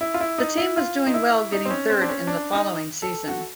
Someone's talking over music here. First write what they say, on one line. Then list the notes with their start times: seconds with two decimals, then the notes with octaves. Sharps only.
The team was doing well getting third in the following season.
0.01 E4
0.14 F4
0.20 E4
0.38 D#4
0.57 E4
0.77 F4
1.07 D#4
1.14 E4
1.52 D#4
1.65 C4
1.70 C#4
1.90 C4
2.01 D4
2.09 C#4
2.27 D4
2.53 D#4
3.02 A4
3.28 F#4